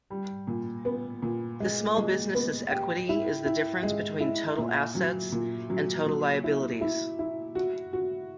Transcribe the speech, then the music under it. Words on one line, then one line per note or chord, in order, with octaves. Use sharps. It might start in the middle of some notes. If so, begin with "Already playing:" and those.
The small business's equity is the difference between total assets and total liabilities.
G3
A#2
B3
A#2
G#3
G#3
B3
G4
E4
E4
G#3
E4
A#2
F#3
A#2
F#3
F#3
E4
E4
E4
F#4
F#4